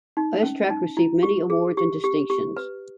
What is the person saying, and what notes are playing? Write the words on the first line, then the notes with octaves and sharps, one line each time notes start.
Oistrakh received many awards and distinctions.
D#4
C#4
D#4
E4
G4
G#4
G4
G4
G4
B4